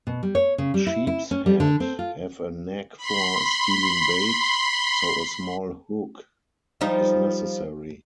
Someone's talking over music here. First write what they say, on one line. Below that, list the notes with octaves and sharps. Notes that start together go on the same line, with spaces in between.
Sheepshead have a knack for stealing bait, so a small hook is necessary.
B2
G3
C#5
C#3
G3
E4
E4
C#4
G3
D3
C4
F4
B5 C6
F3 G3 D#4